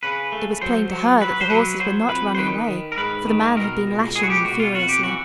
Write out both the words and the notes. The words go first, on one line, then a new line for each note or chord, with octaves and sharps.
It was plain to her that the horses were not running away, for the man had been lashing them furiously.
C#3 B4
A3
F#3 C5
F#3
F#3 B4
C5
F#3 B4
F#3 C5
F2 B4
C5
D#3 B4
D#3
A#4
G#2 B4
D#3
B2 A#4
C#2
B2 G#4
F#4
G4
B2 F#4
F4
F2 F#4
G4
E3 F#4